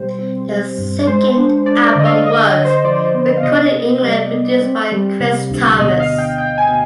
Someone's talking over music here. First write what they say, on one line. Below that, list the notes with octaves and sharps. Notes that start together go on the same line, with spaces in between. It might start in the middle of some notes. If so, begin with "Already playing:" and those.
Their second album was recorded in England, produced by Chris Thomas.
Already playing: B2 G3 C5
C4
G3
G2
G#3 C5
D4
D4 D5
D5
D3 D#5
F5
D3 D#5
D3
C5
F3 D5
B3
F5
C3 D#5
C3
G3 D5
B3
C4
G3
C3
D2
B2 D#5
F5
B2
G5
B2 G5
G#5
B2